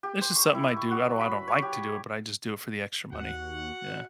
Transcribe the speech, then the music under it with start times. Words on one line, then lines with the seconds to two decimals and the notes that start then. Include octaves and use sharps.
it's just something I do, I don't I don't like to do it, but I just do it for the extra money, yeah.
0.03 G4
0.21 C5
0.36 C#6
0.55 E4
0.76 C#6
0.91 F#4
1.05 F#3
1.21 B5
1.48 C#5
1.62 G4
3.12 D#2 F#4 F#5